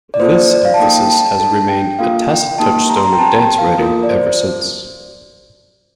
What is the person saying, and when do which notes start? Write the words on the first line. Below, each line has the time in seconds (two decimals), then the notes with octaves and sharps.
This emphasis has remained a tacit touchstone of dance writing ever since.
0.14 D5
0.20 A#3 F4 A4 C5
0.34 C5
0.50 D5
0.65 F5
0.74 A5
0.80 A#3 D#4 A4 G5
1.10 A5
1.40 A4 A5
1.44 D4
1.69 G5
1.99 A#3 F4 A4 F5
2.30 G5
2.58 A#3 D#4 G4 A5
2.89 A#5
2.97 C6
3.05 A#5
3.12 G5
3.19 C4 G4 A5
3.39 A5
3.58 F5
3.78 A#3 F4 A4 A#4
4.03 D5
4.09 C5